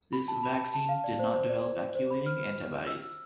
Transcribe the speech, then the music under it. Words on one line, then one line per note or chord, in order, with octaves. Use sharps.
This vaccine did not develop agglutinating antibodies.
B5
A5
B5
A5
F5
D5
C5
C5
D5
C5
B5
F6
E6